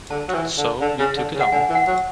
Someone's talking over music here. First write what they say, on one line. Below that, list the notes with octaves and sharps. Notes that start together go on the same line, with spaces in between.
So we took it on.
D3 A5
F#3
E3
D3
D3
C#3
D3
C#3
F#5
D3 G#5
E3
F#5
F#3